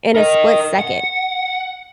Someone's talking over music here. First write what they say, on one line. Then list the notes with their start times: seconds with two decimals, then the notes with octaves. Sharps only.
in a split second.
0.15 A#4 D#5
0.79 F#5